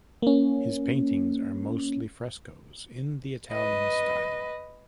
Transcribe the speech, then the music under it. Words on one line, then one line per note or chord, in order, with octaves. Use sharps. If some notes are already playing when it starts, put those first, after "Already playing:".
His paintings are mostly frescoes in the Italian style.
A#3 C#4
B4 D#5